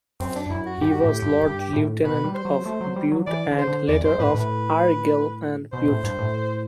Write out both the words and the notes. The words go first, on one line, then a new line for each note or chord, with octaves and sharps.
He was Lord Lieutenant of Bute and, later, of Argyll and Bute.
F#2 C4
D4
F#2 E4
F#4
G2 G4
F#4
A2 G4
G2
G2
A2
B2 B4
G3
C5
F#3
A3
F#3
G3
F#3
E3 D5
D3
C5
D3
E2 D5
F#2 C5
A2 B4
A2 B4
B2 C5
A2
G2
A2